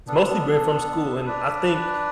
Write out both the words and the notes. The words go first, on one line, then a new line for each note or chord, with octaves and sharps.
it's mostly been from school, and I think
B3 D4 A4
D4 B4 D5